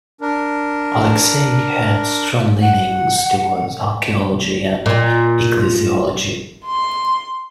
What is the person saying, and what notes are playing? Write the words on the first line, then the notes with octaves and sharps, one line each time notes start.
Alexei had strong leanings towards archaeology and ecclesiology.
D4 A#4
F#5
A#2
C6